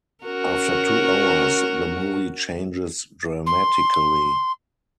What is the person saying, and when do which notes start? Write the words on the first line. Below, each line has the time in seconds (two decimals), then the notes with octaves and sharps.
After two hours the movie changes dramatically.
0.24 C#4 F#4 A#4
3.46 C6